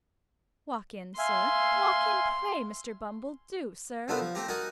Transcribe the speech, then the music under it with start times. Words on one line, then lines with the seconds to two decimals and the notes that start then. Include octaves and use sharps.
Walk in sir; walk in, pray, Mr. Bumble, do, sir.'
1.18 E5 F5 G#5 C6
4.08 C3 A3 B3 D4 F4 A#4
4.21 F3
4.35 A3 C4 G4 A#5
4.48 D#4 F#4 A#4 G#5 A5